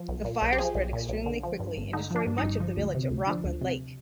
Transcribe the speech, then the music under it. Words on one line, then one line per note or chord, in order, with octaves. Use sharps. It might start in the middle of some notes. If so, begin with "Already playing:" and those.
The fire spread extremely quickly and destroyed much of the village of Rockland Lake.
Already playing: F3
B1
A#2
B1
G4
F3 G#4
B1
A#2
B1
D3
F3
G2
G1
D3 D#4
F3
D4
G2
D#4
G1
F3
D2
C3
D2
F3 D4
D2
C3